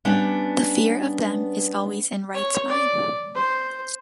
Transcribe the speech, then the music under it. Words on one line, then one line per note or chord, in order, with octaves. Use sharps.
The fear of them is always in Wright's mind.
G3 B3 C#4 D4
C#5
D5
C5